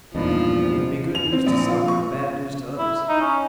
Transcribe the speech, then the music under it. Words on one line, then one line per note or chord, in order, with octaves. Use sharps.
It will be good news to some, an' bad news to others.
E2 G2 A#2 F3 D4 D#4
F7
C4
A#1
F4
C#6
E4
D#4
C#4